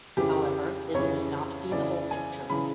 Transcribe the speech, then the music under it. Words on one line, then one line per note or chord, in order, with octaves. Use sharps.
However, this may not be the whole picture.
F2 C#3 E3 G4
F2 C#3 E3 C#5
F2 C#3 E3 D5
G#5
C#3 E3 B5